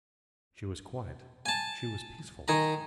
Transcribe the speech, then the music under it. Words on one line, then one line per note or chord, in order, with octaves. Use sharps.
She was quiet, she was peaceful.
G#5 A5
D#3 G#5 A#5